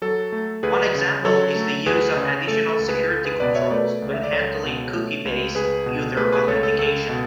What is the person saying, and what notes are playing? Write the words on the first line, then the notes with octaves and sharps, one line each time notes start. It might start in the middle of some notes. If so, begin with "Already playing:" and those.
One example is the use of additional security controls when handling cookie-based user authentication.
F#3 A4
A3
D2 G#4 B4
C#3
F#3 A4 C#5
A3
D2 G#4 B4
C#3
A3 A4
A4
C#2
G#4 B4
C#2 A4
G#4 B4
B2 B4 D5
C#5 E5
A3 B4 D5
C#2
E5
D5
C#2 A4 C#5
B2
A3
C#2
C#2 G#4 B4
B2
A3 G#4 B4
G#4 B4
C#2 A4 C#5
A4
C#2 A4
B2